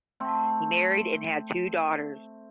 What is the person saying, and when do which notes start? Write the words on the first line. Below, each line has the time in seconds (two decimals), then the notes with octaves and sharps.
He married and had two daughters.
0.20 A3 C4